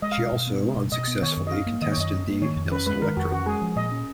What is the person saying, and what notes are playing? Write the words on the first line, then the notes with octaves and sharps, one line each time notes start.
She also unsuccessfully contested the Nelson electorate.
G#3 D#5
F5
B2
B2
B3
G#3
B2
B2 D#5
B3
D#3 C#5
F#2
D#5
C#4 F5
A#3
D#3 D#5
C#5
F#2 D#5
C#4
A#3
D#3 C#5
F2
C#4 B4
G#3 B4
D#3 A#4
F2 F#4
C#4 F#4
G#3 G#4
F3
A#2 D#5
C#4